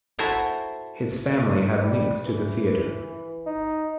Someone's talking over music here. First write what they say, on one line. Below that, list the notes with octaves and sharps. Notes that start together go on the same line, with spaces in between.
His family had links to the theatre.
E4 F#4 A4 C5 G#5 A#5
G3
E3
D#4